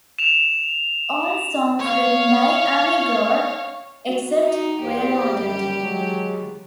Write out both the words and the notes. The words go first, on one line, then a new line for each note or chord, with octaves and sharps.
All songs written by Amy Gore, except where noted.
E7 F7
C#5 F5
F#4
D#4
E2 F4 G4 C5
F#2 G3
F#3 G#3